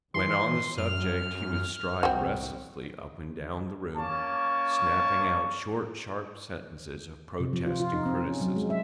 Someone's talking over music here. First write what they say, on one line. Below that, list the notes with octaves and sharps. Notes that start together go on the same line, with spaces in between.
When on the subject he would stride restlessly up and down the room, snapping out short, sharp sentences of protest and criticism.
E3 C6
F#2 F6
C2 C4 F#4
A#3 C#4 A5 C#6 D6
C3
F3
F4
F4
D#4
C4
C#4
F#3
G#3
E5